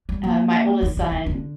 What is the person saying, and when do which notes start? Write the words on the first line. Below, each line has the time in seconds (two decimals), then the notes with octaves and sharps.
uh, my oldest son
0.09 G3
0.24 A#3
0.83 D#3
0.97 D#3
1.12 D#3
1.26 D3